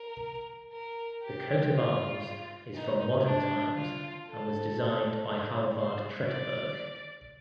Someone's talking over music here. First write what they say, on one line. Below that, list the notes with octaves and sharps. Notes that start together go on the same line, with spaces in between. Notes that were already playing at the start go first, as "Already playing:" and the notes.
The coat-of-arms is from modern times and was designed by Hallvard Tretteberg.
Already playing: A#4
A#4
G4
F4
D#4
D4
F4
A4
C5
D5